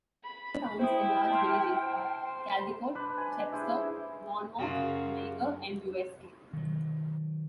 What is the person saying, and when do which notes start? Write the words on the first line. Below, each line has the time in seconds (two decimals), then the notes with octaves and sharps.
Other towns and large villages are Caldicot, Chepstow, Monmouth, Magor and Usk.
0.24 B5
0.79 E4 C5 G5 D#6
1.30 A5 C6 F6
1.81 C5
2.95 D4 B4 C5
3.18 G#5
3.52 E4 G4 G#4 C5
4.59 F#2 C#3 F#3 F4
6.53 D#3 F#3